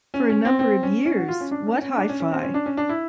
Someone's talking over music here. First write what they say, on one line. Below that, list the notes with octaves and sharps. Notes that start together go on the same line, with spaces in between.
For a number of years, What Hi-Fi?
C#4
C#4
C4
C4
C#4
C#4
F#4
F4
C#4
D4
C#4
C#4
D4
C#4
C#4
C4
C#4
D4
C#4
D4
E4